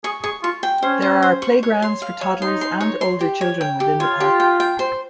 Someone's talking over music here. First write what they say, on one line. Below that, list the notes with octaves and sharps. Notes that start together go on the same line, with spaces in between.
There are playgrounds for toddlers and older children within the park.
G#4 C#6
G#4 C#6
F4 C#6
G5
C#4 C5
C5
C5
C#6
C#5
C6
F5
C#5
D#4 C6
C6
C#5
C6
G4
C#5
G5
G4
F4 C#5
G4
G5
G5
C5